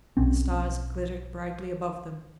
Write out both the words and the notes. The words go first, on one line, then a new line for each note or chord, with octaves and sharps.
The stars glittered brightly above them.
B1 B2 C4 C#4